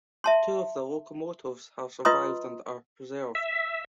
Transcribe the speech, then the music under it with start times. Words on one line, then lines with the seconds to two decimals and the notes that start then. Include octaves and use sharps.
Two of the locomotives have survived and are preserved.
0.24 E5 A5 C6
2.05 F4 B4 D#5 A#5 C6 D#6
3.35 E5